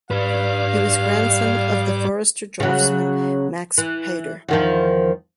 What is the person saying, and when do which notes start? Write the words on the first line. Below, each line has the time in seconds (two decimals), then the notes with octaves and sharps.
He was grandson of the forester draughtsman Max Haider.
0.11 G#2 G3 B4 D5 F5
2.60 C#3 F#3
3.78 E3
4.48 E2 D#3 F3